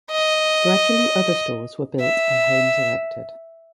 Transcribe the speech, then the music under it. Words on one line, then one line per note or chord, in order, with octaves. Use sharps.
Gradually other stores were built and homes erected.
D#5
E5